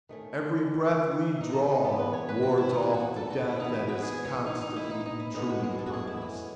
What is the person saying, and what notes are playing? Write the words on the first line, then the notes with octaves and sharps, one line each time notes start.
Every breath we draw wards off the death that is constantly intruding upon us.
D#3 A3 C#4
D#4
A4
B4
E3 B3 A4
B4
C#5
B4
F#4
E4
D#4
E4
F#4
A4
F#4
E4
E3 B3 D#4
E4
F#4
G#4
C#4
D#4
D#4
E4
D#4
D#4
E4
A2 G#3 B3 D#4
F#4
G#4
A4
F#4
G#4
E4
C#4